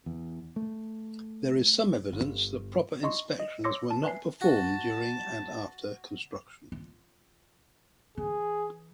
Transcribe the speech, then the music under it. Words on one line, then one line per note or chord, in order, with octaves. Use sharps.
There is some evidence that proper inspections were not performed during and after construction.
E2
A3
G1
D#4 D#5 C6 C#6
D#5
C#5 C6 D6 E6 A#6 C#7
A5
B4 E5 G#5 C7
F#4 A5
F4
E3 G#4